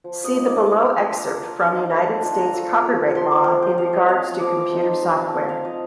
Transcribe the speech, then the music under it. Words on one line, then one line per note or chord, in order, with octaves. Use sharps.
See the below excerpt from United States Copyright Law in regards to computer software.
F3
D#6
A#3 D#4
D6
G3 D6
D6
D4 F4 C6
A#5
A3
A#5
C4 D#4 C6
D6
A3 A#5
A5
D4 F4 G5
A#5
A3
C4 F4
F3 C6
D6
C4 F4
G5
F3 F5
D#5
C4 F4 F5
F5
F3 D6
D6
A3 C4 D#4
C6
G3 A#5
A5
C4 F4 G5
F5
F3 D#5